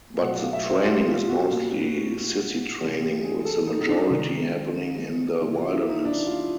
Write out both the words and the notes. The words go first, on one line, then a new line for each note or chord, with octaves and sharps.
But the training is mostly sissi training with the majority happening in the wilderness.
B2 F#3 A3 F#5
F5
E5
C5
G4
F4
F#4
A#2 G3 A#3
C3 E3 A3 G4
G4
G#4
A4
D#4
D#4
D4
D#3 G#3 D#4
C3 E3 G3 A#3 E4
F4
E4
D#4
D4
F4